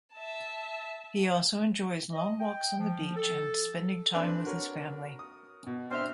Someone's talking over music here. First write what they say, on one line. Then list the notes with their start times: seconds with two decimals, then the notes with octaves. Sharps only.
He also enjoys long walks on the beach and spending time with his family.
0.15 E5 A5
2.13 D#5
2.40 G5
2.78 F3
3.16 A4
4.13 C4 D4 B4
4.45 F#4 A#4 C#5
5.19 D#6
5.67 B2
5.91 C4 D4 C5 E5 C6 F6